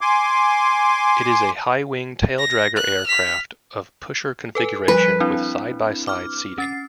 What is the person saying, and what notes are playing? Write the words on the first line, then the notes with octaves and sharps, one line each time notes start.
It is a high-wing taildragger aircraft of pusher configuration with side-by-side seating.
G#5 C6 D6
A#6
F#6
F6 B6
A4 B4 G#5
F3 G3 B4
C4 D4 E4
D6 F6
C#4 A6 C7